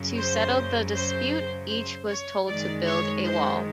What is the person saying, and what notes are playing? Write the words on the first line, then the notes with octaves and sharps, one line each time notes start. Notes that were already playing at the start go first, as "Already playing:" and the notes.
To settle the dispute, each was told to build a wall.
Already playing: F#2 C#3 F#3
C5
C5
C5
C#5
F#2 D#3 G#3 D5
C#5
C5